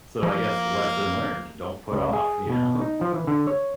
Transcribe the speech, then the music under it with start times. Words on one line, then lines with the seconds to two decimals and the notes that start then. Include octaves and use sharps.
so I guess lesson learned, don't put off, you know,
0.23 F3 A#3
1.92 C#2
2.13 G#4
2.50 B2
2.81 D#4
3.01 F3
3.14 E3
3.27 D3
3.47 C#5